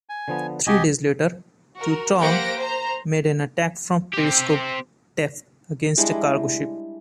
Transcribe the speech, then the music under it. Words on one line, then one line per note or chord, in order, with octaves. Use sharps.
Three days later, "Tautog" made an attack from periscope depth against a cargo ship.
G#5
D3 F3 B3
C2 F#4 G4 D#5 G#5
F#4 A#4
A#3 G4 C5 F#5 A#6 D7
C5 A#5
C4 G4
G3 G#3 D4 E4